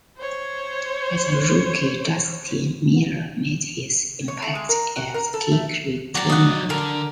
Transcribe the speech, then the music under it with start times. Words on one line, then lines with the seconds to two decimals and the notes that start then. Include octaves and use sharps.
As a rookie, Justin Miller made his impact as kick returner.
0.17 C5 C#5
4.28 C#5
4.42 A3
4.55 G#3
4.69 A#4
4.96 F#4
5.14 A#4
5.34 A4
5.51 A3
6.15 F#3 F#4 D5 A#5
6.30 D#5 F#5
6.70 D3 A#4